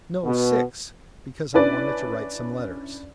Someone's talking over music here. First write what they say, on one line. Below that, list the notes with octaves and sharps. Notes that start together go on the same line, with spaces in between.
"No--six," because I wanted to write some letters.
B2
C#4 D4 E4 B4 D5